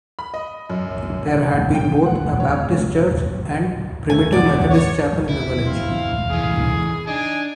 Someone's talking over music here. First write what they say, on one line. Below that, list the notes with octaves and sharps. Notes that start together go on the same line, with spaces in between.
There had been both a Baptist church and Primitive Methodist Chapel in the village.
B5
D#5
F#2
F#5
G5
F#5
C#5
A3 G#5
D5 F#5
E2
C#5
E4
C4 F5
C#3 E3 G#4
D4 D#4 G#5